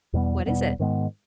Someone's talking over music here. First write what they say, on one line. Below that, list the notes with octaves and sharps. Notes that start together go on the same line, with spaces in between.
"What is it?"
E2 B2 G3 B3
E2 B2 G3 B3
G#2 D#3 G#3 B3